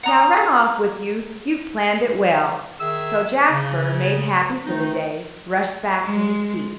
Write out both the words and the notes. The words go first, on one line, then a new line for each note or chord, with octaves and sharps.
"Now run off with you, you've planned it well." So Jasper, made happy for the day, rushed back to his seat.
F#5 A#5 D#6
D#3 G#4 E5 E6
C#3
D#3 A3 D#4
G#3